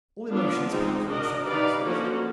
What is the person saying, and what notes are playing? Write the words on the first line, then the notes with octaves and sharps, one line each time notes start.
All emotions powerfully affect muscles.
B3 D4 F4
G#3 C4 D#4 G#4
D4 F#4 A#4 D#5
D#4 G4 B4 D5 F5
D3 F3 A#3 C#4 F#4